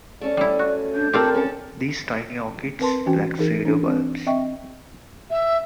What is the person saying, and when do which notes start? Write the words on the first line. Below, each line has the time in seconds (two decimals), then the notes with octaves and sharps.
These tiny orchids lack pseudobulbs.
0.21 A3 C#4 D5
0.37 G3 E4
0.59 F#4
0.95 D4 G6
1.13 C4 D4 F4 G4 A4 A#4
1.34 C#4 A4
2.79 C4 A#4 B4 A5 C6
3.06 E3 C#4 F#4 G5
3.39 E3 D#4 G#4 A#4
3.65 E3 C#4 D4
3.86 C4
4.27 C4 D#5 E5 G5 C#6
5.30 E5